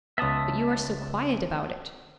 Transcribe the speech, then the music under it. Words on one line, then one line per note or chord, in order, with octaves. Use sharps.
'But you are so quiet about it!
C#2 B3 E5 A5 D#6